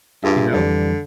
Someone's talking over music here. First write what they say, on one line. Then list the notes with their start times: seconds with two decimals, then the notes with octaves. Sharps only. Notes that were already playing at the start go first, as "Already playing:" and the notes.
You know?
0.24 G2 F4 G#4 E5
0.53 F2 D3 E3 G3